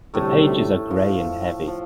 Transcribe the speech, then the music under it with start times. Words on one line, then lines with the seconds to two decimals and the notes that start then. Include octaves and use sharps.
The pages are gray and heavy.
0.14 D2 A2 C3 G3 A3
0.91 F3
1.67 F3